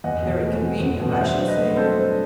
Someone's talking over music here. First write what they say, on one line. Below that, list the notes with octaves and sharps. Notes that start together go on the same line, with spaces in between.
'Very convenient, I should say.'
E2 D#5 F#5
B2
A3
C4
E2
B2
F#5
G2 C5 E5
F#3
B4 D#5
A3
C4 A4 C5
G2